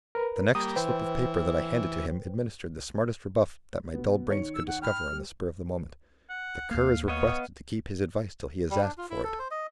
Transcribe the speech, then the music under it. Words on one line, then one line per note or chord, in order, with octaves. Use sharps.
The next slip of paper that I handed to him administered the smartest rebuff that my dull brains could discover on the spur of the moment: "The Cur is requested to keep his advice till he is asked for it."
A#4 B4
G3 A#3 D#6
E3 B4 C5 G5
B2 B3
D#3 C#5 C#7
E6
F#5
G5 B5 F6
G3
F#5
D#2 A#3 F5
B3 C#5 D#5 F5
G3
D4
F4
E4
A4
C5
D#5